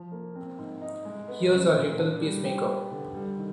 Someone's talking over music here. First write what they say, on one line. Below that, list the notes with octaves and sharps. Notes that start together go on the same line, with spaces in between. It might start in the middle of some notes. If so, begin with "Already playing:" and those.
Here's our little peace-maker!
Already playing: F3
A#3
C4
G#2
D#4
G#3
B3
C#3
A#2
D4
G3
G4
B3
D3
G3
D#3